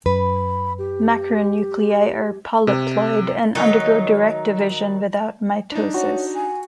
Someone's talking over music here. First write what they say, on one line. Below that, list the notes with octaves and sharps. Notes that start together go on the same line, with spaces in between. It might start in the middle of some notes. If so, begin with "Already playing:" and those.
Macronuclei are polyploid and undergo direct division without mitosis.
F#2 B4 B5
G4
C3
D#3 F#3 D#4
D4 D#4
F#4 C#5
G#5